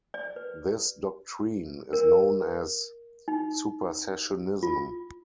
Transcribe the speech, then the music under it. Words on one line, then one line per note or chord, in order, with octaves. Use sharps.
This doctrine is known as Supersessionism.
D5
B4
A#4
D#4
F4